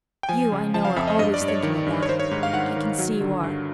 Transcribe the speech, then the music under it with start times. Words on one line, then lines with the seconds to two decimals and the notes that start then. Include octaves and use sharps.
You, I know, are always thinking of that--I can see you are.
0.23 G5
0.29 F3 G#5
0.52 C#3
0.74 F3 A5
0.85 F5
0.96 F2 E5
1.07 D#5
1.19 G2 D#5
1.34 D5
1.41 G2
1.48 C#5
1.63 D#3
1.86 G2
2.03 C#5
2.09 D#3 C5
2.20 C#5
2.31 G#2
2.43 F5
2.53 D#3 F#5
2.76 D#3
2.98 F#3
3.21 D3
3.43 G2